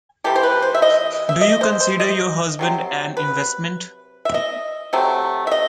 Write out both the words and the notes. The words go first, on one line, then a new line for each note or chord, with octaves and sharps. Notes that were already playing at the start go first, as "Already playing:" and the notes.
Do you consider your husband an investment?
C3 E3 A3 G4
C5
B4
C5
E5
D#5
E5
D#5
C5
C5
D#5
C3 F#3 C4
B4
E5
D#5
C3 F#3 A3 C4
E5
D#5